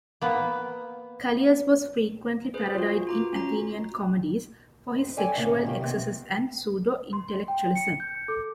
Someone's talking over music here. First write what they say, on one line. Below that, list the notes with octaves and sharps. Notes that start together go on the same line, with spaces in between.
Callias was frequently parodied in Athenian comedies for his sexual excesses and pseudo-intellectualism.
A#3 B3
G#4 B4 C5
F4 F#4
F4 A#5 D6
C#4 F#4 A#5
F2 C5
A4 C#5 D5 G5 G#5
D2 A2 C#3 A#3 C#5 F#5
B2 D#3 A#3 G4
C3 B3 C4
C6
G5
C#7
G6
A4